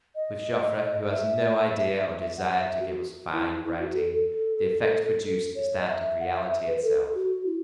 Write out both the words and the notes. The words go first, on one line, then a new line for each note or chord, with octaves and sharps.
With Joffre who has no idea or desire to give us 'fine writing,' the effect produced is that of reality itself.
D#5
E5
F#5
E5
F#4
E4
E4
E4
F#4
A4
A4
C#5
D#5
E5
F#5
E5
E5
B4
B4
A4
F#4
E4